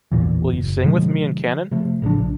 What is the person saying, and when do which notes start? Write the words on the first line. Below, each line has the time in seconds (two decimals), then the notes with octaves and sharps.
Will you sing with me in canon?
0.12 A1 E2 A#2 E3
0.51 F#1
0.83 B2 D3 F3 G#3
1.71 C3 F3 A3
2.02 A1 C#3 F3 D4
2.18 A#1